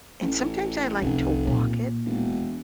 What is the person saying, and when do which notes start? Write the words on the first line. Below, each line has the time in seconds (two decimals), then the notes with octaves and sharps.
and sometimes I like to walk it
0.22 A1
1.01 F1 C2
1.47 A#2
2.06 E1